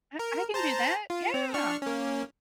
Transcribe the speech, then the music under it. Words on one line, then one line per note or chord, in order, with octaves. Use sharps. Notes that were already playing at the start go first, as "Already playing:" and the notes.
I I can do that, yeah.
A#4
C5 A5 A#5
F4
C4
D4 C#6 F6
A#3 C#4